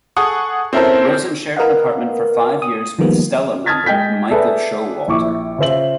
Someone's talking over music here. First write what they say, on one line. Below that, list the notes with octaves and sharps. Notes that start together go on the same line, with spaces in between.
Rosen shared an apartment for five years with Stella member Michael Showalter.
G#4 A4 F#5 C#6 D#6
C4 C#4 E4 A4 A#4 C5
A#4 B4 D#5 F5 F#5
D#6
D#3 F3 G3 A#3 B3
A5 D#6 F6 G#6 A6 B6
G#3 D#5 G5 G6 B6
G#4 A4 B4 D5 E5 A5
A#1 E4 C#6 D6
C#3 F4 C5 E5 F#7